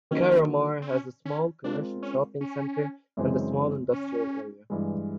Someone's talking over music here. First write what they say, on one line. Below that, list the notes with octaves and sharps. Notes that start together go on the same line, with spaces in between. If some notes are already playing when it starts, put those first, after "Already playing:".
Carramar has a small commercial shopping centre, and a small industrial area.
D#3 F#3 A#3 C#4 D#4
C4
C#4
C#4
G#3 C4 D4 F4 A#4
C#4
C#4
F#2 C#3 E3 G#3 C4
C#4
G2 E3 G#3